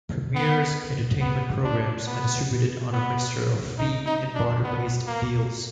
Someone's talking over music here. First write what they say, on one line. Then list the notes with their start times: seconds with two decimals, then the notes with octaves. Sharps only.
Premiere's entertainment programs are distributed on a mixture of fee and barter based deals.
0.35 B3
1.21 B3
1.64 D4
2.06 B3
2.93 B3
3.78 D#4
4.06 D#4
4.35 D4
4.64 B3
5.07 A#3